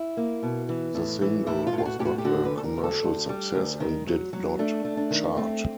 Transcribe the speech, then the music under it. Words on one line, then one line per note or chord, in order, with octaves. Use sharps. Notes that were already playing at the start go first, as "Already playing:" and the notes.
The single was not a commercial success and did not chart.
Already playing: E4
A#3
B2
E3
A2
E3
A2 E4
F4
A2
F4
F#4
A2 G4
F#4
G4
D3 F#4
B4
D2
A4
A#4
D2
A4
D2
G3
D2
D#3
F#3
F#3
A3 D4
A3
D4
D#3
A3 C4